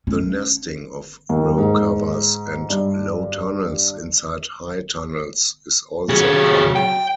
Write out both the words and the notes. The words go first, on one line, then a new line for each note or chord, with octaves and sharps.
The nesting of row covers and low tunnels inside high tunnels is also common.
C#4
D#2
G#2
G2
C3 F#3 G#4
G5